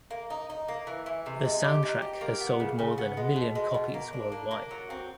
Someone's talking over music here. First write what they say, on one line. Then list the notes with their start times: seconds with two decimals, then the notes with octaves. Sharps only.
The soundtrack has sold more than a million copies worldwide.
0.11 A#3
0.30 D#4
0.50 D#4
0.68 A#3
0.87 E3
1.06 E3
1.26 C3
1.45 G#3
1.64 G4
1.83 D#4
2.02 G4
2.21 A#3
2.40 B3
2.60 C#3
2.79 C#3
2.98 B3
3.17 G#3
3.36 B2
3.55 G#3
3.74 B2
3.94 A#3
4.13 D4
4.32 A#3
4.51 A#3
4.71 F#3
4.90 C4